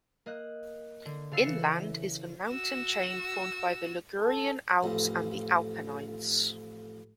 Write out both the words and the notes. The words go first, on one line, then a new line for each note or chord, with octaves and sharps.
Inland is the mountain chain formed by the Ligurian Alps and the Apennines.
A#3 D#5 F#6
D3
C#3 A4 F5 E6 C7 C#7
E3 E7
F#4 E6
A4
A1 F2